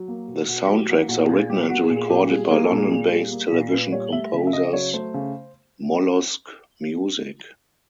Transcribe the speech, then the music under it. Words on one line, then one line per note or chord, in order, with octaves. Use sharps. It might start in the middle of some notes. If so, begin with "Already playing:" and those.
The soundtracks are written and recorded by London-based television composers, Mollusc Music.
Already playing: F#3
A#3
B2
B2 F#4
F#3 G4
A#3 F#4
A#2 F#4
A#2 G#4
G3 G4
A#3 F#4
G#4
A#2
G#4
A#2 G4
G3 G#4
A#3 G#4
A4
A#2
G#4
A#2
G3
A#3
A#2
A#2 B4
G3 C#5
A3 E5
C#3
E5
C#3 D#5
F#3 C#5
A3 C5
C#3